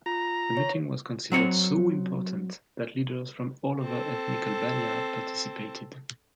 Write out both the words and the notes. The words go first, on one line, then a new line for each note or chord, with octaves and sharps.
The meeting was considered so important that leaders from all over ethnic Albania participated.
F4 A#5
C#5
F#3 C4 C#5
C4 A4